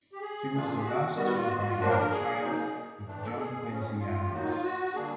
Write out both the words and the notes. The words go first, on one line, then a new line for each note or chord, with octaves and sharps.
He was the last surviving child of John Quincy Adams.
G4
G#4
E3 A3 D4 F4
G4
F#4
D#3 G3 B3 F#4
F#4
F4
F#4
F#4
F4
A2 F3 A#3 D4 F#4
A#4
A#4
G#4
B2 F#3 A#3 D#4
A2 E3 A3 D4
A4
G#4
A2 F3 G#3 C#4
F4
G4
A2 F#3 A#3 D#4 F#4
F4
F#4
D3 G3 A#3 D4 G#4